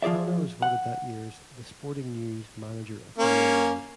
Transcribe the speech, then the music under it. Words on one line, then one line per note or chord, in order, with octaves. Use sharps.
Tanner was voted that year's "The Sporting News" Manager of the Year Award.
F3 F4 G#4 D5 E5
F#5
A#3 C#4